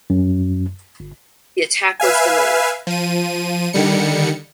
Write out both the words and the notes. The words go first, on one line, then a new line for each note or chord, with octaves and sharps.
The attack was delayed.
F#2
G1
B4 E5 F5 G#5
F3 D#7
D3 D#3 G3 C#7